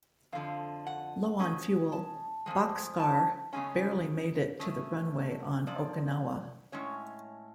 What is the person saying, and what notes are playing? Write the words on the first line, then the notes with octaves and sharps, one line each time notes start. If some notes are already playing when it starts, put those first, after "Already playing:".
Low on fuel, "Bockscar" barely made it to the runway on Okinawa.
F2 D3 F3 F5
F#5
B2 G#3 C#4
A5
F2 C#3 F3 G#3
A5
F#2 C#3 G#3 C#4 G#5
B2 A3 C#4
F#2 F3 D5
A2 G#3 C#4 C#5